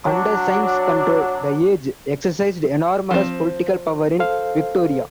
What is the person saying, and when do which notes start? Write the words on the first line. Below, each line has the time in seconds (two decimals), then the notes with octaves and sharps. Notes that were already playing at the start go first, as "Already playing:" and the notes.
Under Syme's control "The Age" exercised enormous political power in Victoria.
0.05 F#3 D4
3.11 F3 C4
4.19 A4 C5 F5